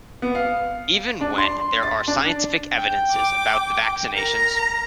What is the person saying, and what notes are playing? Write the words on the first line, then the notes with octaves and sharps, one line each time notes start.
Even when there are scientific evidences about the vaccinations.
B3
F5
D4
C6
A6
D4
G5
D6
A#4 A#5